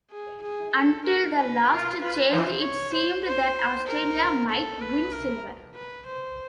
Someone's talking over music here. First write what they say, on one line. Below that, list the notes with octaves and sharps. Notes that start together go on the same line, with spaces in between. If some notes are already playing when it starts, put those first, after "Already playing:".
Until the last change, it seemed that Australia might win silver.
G#4
G#4
A4
A#4
B4
A#4
B4
C5
C#5
C5
C5
A#4
A4
B4
A#4
B4
C5